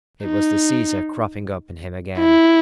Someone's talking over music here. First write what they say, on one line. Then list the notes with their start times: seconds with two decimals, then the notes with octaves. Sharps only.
It was the Caesar cropping up in him again.
0.25 D#4
2.19 E4